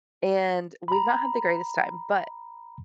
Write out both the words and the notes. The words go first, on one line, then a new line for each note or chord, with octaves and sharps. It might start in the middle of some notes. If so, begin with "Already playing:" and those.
and we've not had the greatest time, but
A#5 B5